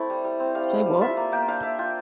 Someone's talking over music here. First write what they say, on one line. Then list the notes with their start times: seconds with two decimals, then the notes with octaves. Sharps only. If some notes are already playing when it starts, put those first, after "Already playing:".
Say what?
Already playing: A3 C4 E4 D5
0.10 G3
0.25 G3
0.40 C4
0.55 G3 F5
0.70 G3
0.86 G3
1.01 F4 E5
1.17 A#3
1.32 A#3 G5
1.48 D4 F5
1.63 A#3 E5
1.79 F4 G5